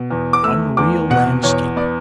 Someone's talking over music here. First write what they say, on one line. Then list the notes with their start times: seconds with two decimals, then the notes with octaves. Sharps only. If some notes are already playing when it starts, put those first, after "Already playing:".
Unreal landscape!
Already playing: B2
0.10 E2
0.33 D6
0.43 A3 E6
0.77 E2 D6
1.10 B2 F#5
1.43 E2 C#5
1.76 B3 D5